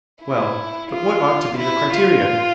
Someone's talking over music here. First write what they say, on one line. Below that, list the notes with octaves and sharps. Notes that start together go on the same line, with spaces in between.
Well, but what ought to be the criterion?
E4
F4
E4
F4